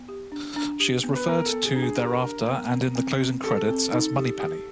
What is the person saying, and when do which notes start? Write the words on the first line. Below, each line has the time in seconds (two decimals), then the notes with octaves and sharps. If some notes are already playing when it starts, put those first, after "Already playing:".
She is referred to thereafter, and in the closing credits, as Moneypenny.
Already playing: B3
0.09 G4
0.32 D4
0.56 D4
0.80 G4
1.04 B3
1.16 B4
1.28 B3 A#4
1.46 A4
1.52 B3
1.65 G#4
1.76 D4
1.82 G#4
2.00 G4 A#4
2.24 D4
2.48 B3
2.73 C4
2.96 C4
3.21 C4
3.44 G4 A4
3.68 C4
3.92 D#4
4.17 G4
4.40 G4